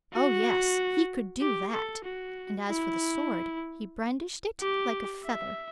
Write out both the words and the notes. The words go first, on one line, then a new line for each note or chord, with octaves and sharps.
Oh yes! he could do that, and as for the sword, he brandished it like a feather.
F#4
G4
A4
F#4
E4
G4
E5